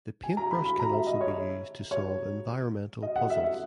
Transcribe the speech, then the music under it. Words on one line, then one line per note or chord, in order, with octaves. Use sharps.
The paintbrush can also be used to solve environmental puzzles.
G#5
A#5
B5
B5
A#5
E5
D#5
C#5
C#5
D#5
F#5
E5
E5